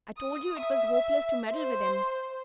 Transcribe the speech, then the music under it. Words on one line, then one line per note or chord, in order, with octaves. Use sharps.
'I told you it was hopeless to meddle with him.
D#6
E5
C5